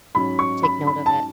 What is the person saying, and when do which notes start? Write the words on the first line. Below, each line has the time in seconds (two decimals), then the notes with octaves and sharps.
take note of it.
0.15 G#2 F#3 C#4 B5
0.39 C#6
0.63 B5
0.87 B5
1.06 A5